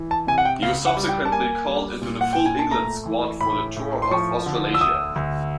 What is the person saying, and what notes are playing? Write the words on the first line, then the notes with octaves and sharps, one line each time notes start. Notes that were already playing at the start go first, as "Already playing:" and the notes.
He was subsequently called into the full England squad for the tour of Australasia.
Already playing: E3
A5
C3 G#5
F#5
G5
C#2 F5
F#5
G3
G5
A5
A#3 G#5
G3
A#2
F#5
A#2 G5
G#5
A5
A3 A#5
E3
A2 B5
A2
C6
F3 C#6
D3
E6
D2 D#6
D2